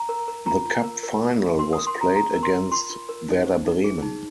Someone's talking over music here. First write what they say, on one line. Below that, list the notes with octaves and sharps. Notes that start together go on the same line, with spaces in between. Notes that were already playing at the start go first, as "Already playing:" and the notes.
The cup final was played against Werder Bremen.
Already playing: A#5
A#4
A#4
F4 A#5
F4
A#4
A#4
F4
F4
A#4 C6
D#6
A#4
C6
F4 A#5
F4 A#5
A#4
C6
A#4
F4 C6
F4
A#4
D#4
C5
D#4
G#4
D#4